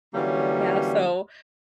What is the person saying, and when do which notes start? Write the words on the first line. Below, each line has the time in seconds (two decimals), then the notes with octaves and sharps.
yeah, so
0.14 D3 E3 F#3 G3 A#3 C#4